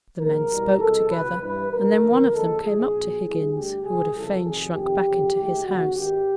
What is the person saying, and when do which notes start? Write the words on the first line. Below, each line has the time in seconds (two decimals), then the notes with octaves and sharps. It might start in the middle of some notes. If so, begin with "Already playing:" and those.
The men spoke together, and then one of them came up to Higgins, who would have fain shrunk back into his house.
0.18 A#1 G#2 F3 A#4
0.49 E2 B2 G3
0.79 C2 B2 G#3 A4
1.09 C#2 B2 F#3 B4
1.40 G2 E3 G3 B4
1.70 B1 B2 G3 A#4
2.00 D#2 D3 F3
2.31 D#2 D3 F3 G#3 A4
2.60 B1 A2 F3 G#3 G#4
2.91 A#1 A#2 F#3
3.21 E2 C3 E3 G3 G#4
3.51 D2 D3 G3 G4
3.82 C#2 B2 G3 G#4
4.12 F2 C#3 E3 G3 A4
4.42 F2 C3 D#3 F#3 G#4
4.73 F2 C3 D#3 G4
5.03 F2 C#3 F#3
5.33 A1 G#2 D#3 G#3 G4
5.63 D#2 C#3 F#3 F#4
5.94 G#1 G#2 D#3 G4